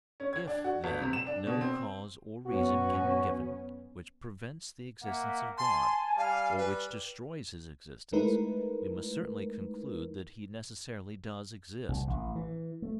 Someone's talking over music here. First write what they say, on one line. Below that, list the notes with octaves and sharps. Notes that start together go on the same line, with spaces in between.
If, then, no cause or reason can be given, which prevents the existence of God, or which destroys his existence, we must certainly conclude that he necessarily does exist.
C#4
G#6
D4
F#4
G1
C3
E7
D4
B2
C4
F#2 B3 C#4 F#4
A#3 E5 F#5
G#5 A5 C6
G3 F5
B4
G#3 A3 D#4 E4 A#4 B4
C2
A1
E3
A3